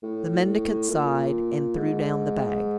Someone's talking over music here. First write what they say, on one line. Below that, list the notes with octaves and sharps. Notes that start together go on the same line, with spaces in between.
The mendicant sighed and threw down the bag.
A2
A#2
G#2